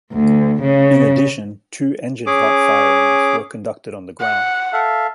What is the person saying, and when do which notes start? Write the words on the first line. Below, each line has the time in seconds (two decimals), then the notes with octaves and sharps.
In addition, two engine hot firings were conducted on the ground.
0.13 D2
0.61 C#3
2.26 C#4 G#4 D6
4.20 F#5
4.73 A4 E5 F5